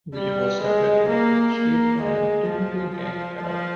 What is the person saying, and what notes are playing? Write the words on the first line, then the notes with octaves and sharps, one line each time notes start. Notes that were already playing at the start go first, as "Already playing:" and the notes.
William was abducted off the street and taken to a gang hideout.
G3
G#3
A#3
A#3
G#3
F3
F3
F3